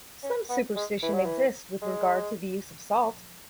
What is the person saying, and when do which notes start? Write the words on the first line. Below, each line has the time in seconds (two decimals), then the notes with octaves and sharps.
Some superstition exists with regard to the use of salt.
0.23 C#4
0.49 B3
0.76 G#3
1.02 E3
1.14 F#3
1.25 E3
1.82 G#3